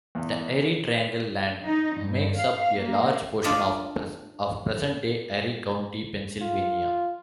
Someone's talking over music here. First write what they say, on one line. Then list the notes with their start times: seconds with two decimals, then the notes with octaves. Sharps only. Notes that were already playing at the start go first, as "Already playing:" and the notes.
The Erie Triangle land makes up a large portion of present-day Erie County, Pennsylvania.
0.15 E2
1.66 D#4
1.99 G2
2.39 F5
2.79 A#3
3.44 D4 F4 D5 D#5
6.42 F4